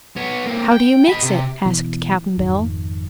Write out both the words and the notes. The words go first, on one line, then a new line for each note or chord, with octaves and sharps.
"How do you mix it?" asked Cap'n Bill.
B3 C#5
A#3 C4
G5
D#5 B5
C3
B2 E3
G#1 F2 D#3